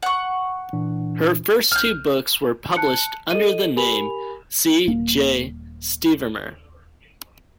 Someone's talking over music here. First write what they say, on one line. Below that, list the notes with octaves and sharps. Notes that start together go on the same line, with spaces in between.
Her first two books were published under the name C. J. Stevermer.
F#5 C#6
A#2 E3 D4
A#1 F6 G6
A5 F#6 C#7
A4 D#5 D#7
G4 A#4 G#5 B5 F7
D#1 A#3